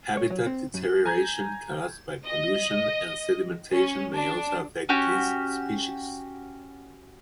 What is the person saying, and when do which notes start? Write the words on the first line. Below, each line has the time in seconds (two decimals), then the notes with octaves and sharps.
Habitat deterioration caused by pollution and sedimentation may also affect this species.
0.17 C#5
0.30 F#3
0.46 C4
0.74 F#2
1.06 G#5 A#5 G6 G#6
2.26 D#5
3.72 C#4
4.13 D4
4.89 C#4 F#4 G4